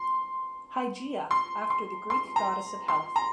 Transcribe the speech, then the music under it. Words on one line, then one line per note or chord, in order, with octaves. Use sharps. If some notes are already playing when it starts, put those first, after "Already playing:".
Hygeia after the Greek goddess of health.
Already playing: C6
C6
C6
C6
A#5
C6
A#5